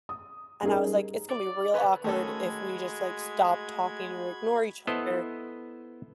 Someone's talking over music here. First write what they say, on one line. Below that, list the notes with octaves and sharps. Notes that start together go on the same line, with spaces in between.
and I was like, "It's gonna be real awkward if we just, like, stop talking or ignore each other."
D#6
G3 C#4 D#4 G#4 A#4 D#5
D5
D3 C#4 B4
D#3 G#3 A3 C#4 F#4 A4 B5 G#6
B3 E4 A4 C5 D#5